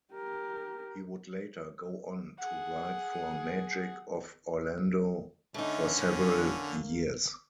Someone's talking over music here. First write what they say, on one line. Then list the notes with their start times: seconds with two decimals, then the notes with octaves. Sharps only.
He would later go on to write for Magic of Orlando for several years.
0.13 G4 A#4
2.39 G#4 F#5
5.54 D3 A3 C#4 D#4
5.98 A#3